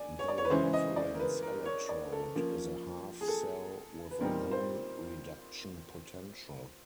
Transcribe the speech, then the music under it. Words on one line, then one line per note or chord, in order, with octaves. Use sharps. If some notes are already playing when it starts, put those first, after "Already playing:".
The reference electrode is a half cell with a known reduction potential.
Already playing: D5 G#5
C#5
D5
C#5
B4
C#3 E3 G#3 C#4 C5
D#5
D5
A#4
B4
A#4
C#5
D5
A4
F3 A#3 C#4
G#4
A4
B4
A#2 G3 C4 D#4 A#4
C5